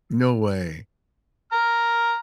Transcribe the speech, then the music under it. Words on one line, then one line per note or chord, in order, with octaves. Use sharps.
No way.
A#5 F6